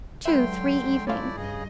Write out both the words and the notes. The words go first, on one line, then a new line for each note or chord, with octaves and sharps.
'Two--three evenings.
D3 F#3 G#3 B4 E5 G5 C6
A3 C#4 E4 F4 D5
G2 C#3 G#4 D#5